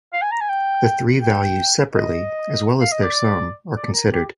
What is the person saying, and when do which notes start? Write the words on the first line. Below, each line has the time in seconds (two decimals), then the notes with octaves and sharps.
The three values separately as well as their sum are considered.
0.13 F5
0.22 G#5
0.31 A#5
0.41 G#5
0.49 G5
1.22 G5
1.94 D#5
2.81 F5
2.92 D#5
3.03 D5
3.76 D5
3.93 A#4
4.12 G4